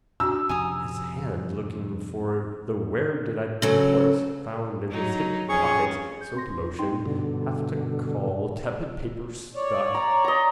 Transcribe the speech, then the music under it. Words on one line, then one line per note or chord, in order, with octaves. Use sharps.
His hand looking for the where did I put found in his hip pocket soap lotion have to call tepid paper stuck.
C#4 D4 F#4 E6
F2 C3 G#5 A#5 D#6
C#3 F#3 A4
F#3 D#4
F2 C#4 G#4 C#6
G6
C4 C6 A#6
D#4 G5 C6
G2 B2 D3
C#5 D5
A#5
D#5 A#5